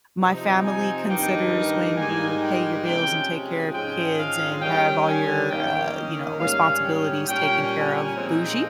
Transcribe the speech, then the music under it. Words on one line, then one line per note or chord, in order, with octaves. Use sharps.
my family considers when you pay your bills, and take care of kids, and have all your, uh, you know, responsibilities taken care of, bougie?
C3 F3 C4 D#4
G#5
G2 D#3 A#3 D#4 G5
G5
G#2 G3 A#3 D#4 G#5
G5
C3 F3 G#3 C#4 G5
G5
G#2 F3 G#3 C#4 G5
F5
D#3 G3 C#4 G5
G#5
D#3 A#3 C#4 G5
D#5
G#2 G3 C#4 F5
G5
A#2 G3 C#4 G5
G#5
A#2 F3 G#3 C4 D#4